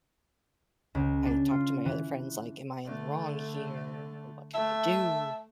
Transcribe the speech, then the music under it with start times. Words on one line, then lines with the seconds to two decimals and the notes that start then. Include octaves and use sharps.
I talked to my other friends like, "Am I in the wrong here? What can I do?"
0.95 C#2
1.26 D4
1.51 F4
1.85 E3
2.84 D3 A3
4.54 A3 E5 A5